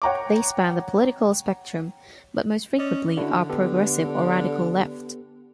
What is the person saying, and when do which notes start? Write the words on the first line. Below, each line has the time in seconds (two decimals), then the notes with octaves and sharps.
They span the political spectrum, but most frequently are progressive or radical left.
0.02 C#5 F#5 G5 A#5 C#6 D6
2.79 C#4 D5 D#5
3.17 D3 D4 E4 F#4
3.50 B3 G4 A4